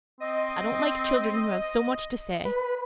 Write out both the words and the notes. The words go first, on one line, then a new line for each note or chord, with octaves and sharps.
I don't like children who have so much to say.
C4 D#5
B4